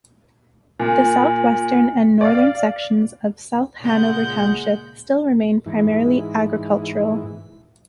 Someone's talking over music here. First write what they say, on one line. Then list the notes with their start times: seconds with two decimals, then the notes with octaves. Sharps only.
The southwestern and northern sections of South Hanover Township still remain primarily agricultural.
0.80 A#2
2.21 D5 F5
3.81 A#2 C#3 G#3 F#5 G6
5.66 G#2 E3